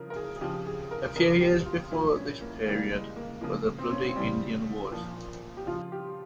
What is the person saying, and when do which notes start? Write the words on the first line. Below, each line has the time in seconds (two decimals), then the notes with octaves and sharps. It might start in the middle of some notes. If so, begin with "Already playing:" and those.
A few years before this period were the bloody Indian Wars.
Already playing: C#3 F3 A#4
0.10 A#4
0.16 G#4
0.36 G#4
0.41 C#3 F3 G4
0.66 G#4
0.91 A#4
1.16 C#3 F3 A#4
1.41 G4
1.65 F4
1.91 A#2 F3 E4
2.15 C#4
2.41 A#3
2.66 C#3 E3 G3 A#3
2.92 G#3
3.16 A#3
3.41 C#3 F3 A#3
3.78 C4
3.92 C#4
4.06 C4
4.16 C#3 E3 G3
4.91 A#2 F3
5.57 G4
5.66 C#3 F3 F4
5.92 G4